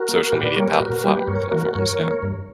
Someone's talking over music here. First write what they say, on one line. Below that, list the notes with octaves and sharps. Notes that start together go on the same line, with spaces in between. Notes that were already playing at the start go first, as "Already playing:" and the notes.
social media palt flaut platforms, yeah.
Already playing: F#4 A#4
A#3
A#2 G4 B4
B4 D5
G3 A#3 A#4 C#5
G4 B4
A#2 F#4 A#4
G3 A#3 G4 B4
G2 A#4 C#5
E3 A#3 F#4 A#4
G2 A#4 C#5
E3 A#3
G2